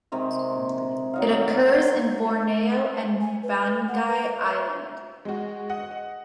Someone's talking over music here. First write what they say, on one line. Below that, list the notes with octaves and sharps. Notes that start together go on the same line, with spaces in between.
It occurs in Borneo and Banggai Island.
C3 D#3 G#3
F#3 D#4 F5
G#5
B4
F#5
B4
B4
E5
G#3 F#4
D#5 F#5